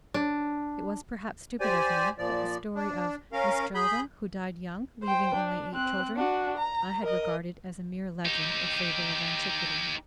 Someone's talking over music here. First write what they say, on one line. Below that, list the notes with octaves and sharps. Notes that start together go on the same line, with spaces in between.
It was perhaps stupid of me, but the story of Mistrelde, who died young, leaving only eight children, I had regarded as a mere legend or fable of antiquity.
D4
G4 C5 D5 G#5
A#2 F3 D5
D4
C#4 A#4 F5
G#4 B5 G6
C5 G5
D4
C4 F#6
D4 F#4
A#5
A#4 D#5
D#4 G4